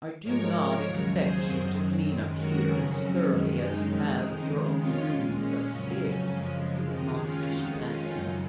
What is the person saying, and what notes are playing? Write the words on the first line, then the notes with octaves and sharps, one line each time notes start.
"I do not expect you to clean up here as thoroughly as you have your own rooms up stairs," he remarked, as she passed him.
G#2 F3 G#3 A#4 C#5
D#2 C#3 F#3
G#4 C5
F#2 D#3 F#3
F#2 D#3 G#3
F#4 A#4
F2 C#3 F#3 C#4
F#2 D#3 G#3
D#4
F2 D#3 G#3 C#4
D#4
F2 D#3 G#3
C#4 F4
A#2 G#3
C#4
F2 C#3 F#3 C#4
F#2 C#3 F3 G#3
D#2 D#3 G#3 D#4
C#4 F4
F2 D#3 G#3 D#4 F#4
C#4 F4
F#2 C#3 F#3 D#4